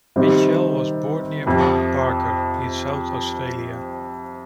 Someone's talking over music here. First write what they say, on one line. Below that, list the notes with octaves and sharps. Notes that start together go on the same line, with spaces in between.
Mitchell was born near Mount Barker in South Australia.
C3 D#3 G3 C4
F2 C3 F3